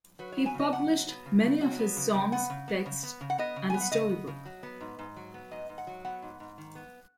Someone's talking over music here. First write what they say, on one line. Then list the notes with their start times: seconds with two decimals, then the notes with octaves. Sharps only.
He published many of his songs texts and a story book.
0.19 F#3 B4
0.32 B3 C#5
0.46 G#5
0.54 C#3
0.59 D#5
0.73 C#3 F#5
0.90 F#3
1.08 B3
1.26 C#3
1.44 C#3
1.61 F#3
1.79 B3
1.96 C#3
2.14 C#3
2.32 B3 F#5
2.50 C#3
2.68 B3
2.86 C#3
3.03 B3
3.21 C#3
3.30 F#5
3.38 B3 D#5
3.56 C#3
3.70 B3 G#5
3.81 F#5
3.92 C#3 D#5
4.09 B3
4.27 C#3
4.45 F#3
4.63 B3
4.81 G#2
4.99 G#2
5.16 F#3
5.34 B3
5.51 G#2 D#5
5.69 G#2
5.78 F#5
5.87 F#3
6.05 B3 F#5
6.22 G#2
6.40 G#2
6.58 D#3
6.75 B3